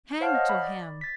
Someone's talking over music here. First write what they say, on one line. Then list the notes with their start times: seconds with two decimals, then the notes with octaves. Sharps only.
Hang to him!
0.21 C5 C#5 F5 F#5 A5 F6
0.34 D#5 F#5
0.49 B5
0.63 D5
1.01 A6 B6